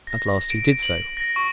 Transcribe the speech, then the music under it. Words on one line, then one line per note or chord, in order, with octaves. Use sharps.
At last he did so.
A#6
D7
F#7
A#6
C#6